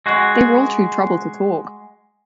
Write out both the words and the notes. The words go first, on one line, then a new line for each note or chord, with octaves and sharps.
They were all too troubled to talk.
G#3 F#4